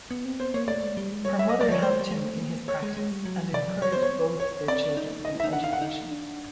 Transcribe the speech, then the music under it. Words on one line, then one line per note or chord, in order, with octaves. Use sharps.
Her mother helped him in his practice and encouraged both their children in education.
B3
C4
B3 C5
A#3 C#5
A3 D5
G#3
G3
G#3
G3 C#5
E5
F#3 D#5
D5
F3 C#5
G#3 C5
G3
G#3
A3
A#3
C#5
G#3
G#3
G3
F#3
C3 D5
F#3
G3 C#5
B3 C5
C#5
C4
C#5
C4 D5
D#4
D#5
E4
E5
D#4
D4 F#5
D#4 F5
F#5
D#4
D4